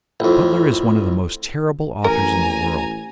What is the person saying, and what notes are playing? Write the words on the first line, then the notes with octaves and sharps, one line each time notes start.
Butler is one of the most terrible authors in the world.
A1 F2
A1 A#4 G#5 A#5